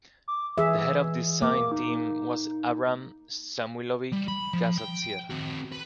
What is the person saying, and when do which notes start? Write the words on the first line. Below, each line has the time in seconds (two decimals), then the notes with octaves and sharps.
The head of the design team was Abram Samuilovich Kassatsier.
0.28 D6
0.58 E3 G#4 E5
1.42 A#3 D6
1.72 D#4
4.13 G3
4.28 B5
4.53 F3
4.78 G5
5.31 C4 F#4
5.72 B4